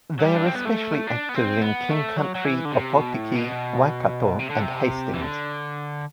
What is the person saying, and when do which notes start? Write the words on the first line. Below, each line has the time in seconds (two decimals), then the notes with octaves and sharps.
They are especially active in King Country, Opotiki, Waikato and Hastings.
0.20 F#3
0.24 G3
0.36 D4
0.45 C4
0.56 B3
0.65 A3
1.07 D4
1.29 B3
1.35 C4
1.62 B3
1.90 A3
2.17 F#3
2.35 F#3
2.45 E3
2.65 D3
2.72 C3
2.93 B2
3.14 A2
3.35 B2
4.39 C3
4.49 D3
4.62 C3
5.14 E3
5.22 D3